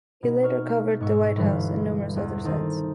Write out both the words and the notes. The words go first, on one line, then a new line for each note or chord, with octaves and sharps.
He later covered the White House and numerous other sites.
B2 D#4
C#6 F6
G#2 C#6 E6
G1 G2 E3 B4 F5 B6
E2
D#3 C4 D#4 A4